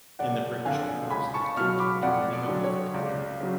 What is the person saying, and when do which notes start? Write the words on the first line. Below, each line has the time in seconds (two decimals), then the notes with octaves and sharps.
In the British Isles they date to the Neolithic period.
0.19 F#1 D5 F#5
0.65 F2 D3 F5 G#5
1.10 C#2 G#5 B5
1.34 A5 C#6
1.57 B2 C#6 F6
1.60 F#3
1.80 B5 D6
2.02 F2 D5 F#5
2.33 D5
2.48 D3 F#3
2.64 C#5
2.94 C#2 D5
3.40 C#3 F#3